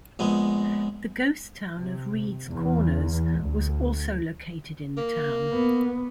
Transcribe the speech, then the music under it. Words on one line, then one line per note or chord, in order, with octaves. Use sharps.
The ghost town of Reeds Corners was also located in the town.
A#1 G#3 B3
C3
E2
D2
A#3
B3